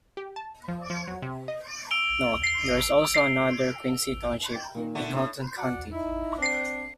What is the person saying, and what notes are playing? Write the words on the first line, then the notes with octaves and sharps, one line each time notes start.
Note: there is also another Quincy Township in Houghton County.
G4
A5
F3
F3
F#3
C3
D#5
E6 D7 F7 G7
G5
A#2 D#3 A#3
D3 A3
A2
F#4 D5 F#5
D#4 E4
C4 D4